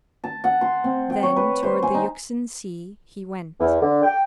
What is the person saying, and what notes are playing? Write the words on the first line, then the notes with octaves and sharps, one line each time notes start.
Then toward the Euxine Sea he went.
A5
F#5
C6
C4
G5
C#5
B4
C5
G#5
D#4
E2
D3
G5